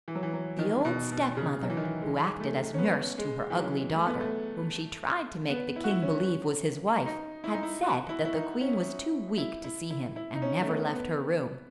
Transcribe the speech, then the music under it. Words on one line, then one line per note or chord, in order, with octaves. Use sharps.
The old stepmother, who acted as nurse to her ugly daughter, whom she tried to make the king believe was his wife, had said that the queen was too weak to see him, and never left her room.
E3
F#3
E3
F#3
D#3
B2
B2
C#3
F#3
E3
D#3
E3
G#3
A3
C#4
B3
G#3
E3
F#3
A3
B3
A3
B3
E4
F#4
E4
C#4
D#4
E4
D#4
E4
F#4
E4
E4
D#4
C#4
E4
E4
E4
E4
D#4
C#4
A3
B3
B3